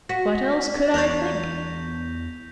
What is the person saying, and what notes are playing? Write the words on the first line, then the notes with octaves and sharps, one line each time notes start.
What else could I think?
F#4 A#6 B6
E2 A#4 C#5 G6 F7